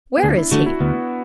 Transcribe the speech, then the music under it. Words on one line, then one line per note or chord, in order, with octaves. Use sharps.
"Where is he?"
B3
D2 D4
E4
D3 A3 F#4
E4
D2 B3